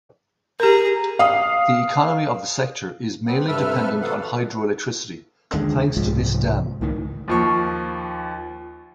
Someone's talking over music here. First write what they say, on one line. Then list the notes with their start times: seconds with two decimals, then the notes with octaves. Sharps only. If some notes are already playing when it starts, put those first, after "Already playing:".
The economy of the sector is mainly dependent on hydroelectricity thanks to this dam.
0.60 G4 G#4 A#4 A#5
1.19 F5 D#6
3.26 G3 B3 C4
3.48 G2 C3 A4 B4 E5 F6
4.02 F#3 B3 A4 F5 F#5
5.54 D#2 D3 G#3
5.97 C2 G#2 F3
6.81 C#2 A2 D#3
7.28 D#2 F3 C#6